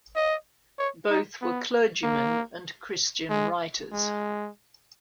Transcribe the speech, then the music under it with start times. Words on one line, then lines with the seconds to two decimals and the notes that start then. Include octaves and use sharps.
Both were clergymen and Christian writers.
0.16 D#5
0.79 C#5
1.10 D#4
1.41 B3
2.03 A#3
3.29 G#3
3.92 G#3